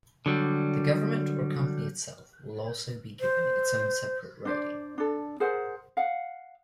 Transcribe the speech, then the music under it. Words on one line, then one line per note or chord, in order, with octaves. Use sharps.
The government or company itself will also be given its own separate rating.
D3 F#3 G3
C5
D4 C5 D5
D4 A4
G#4 A#4 C5 F#5
F5 F#5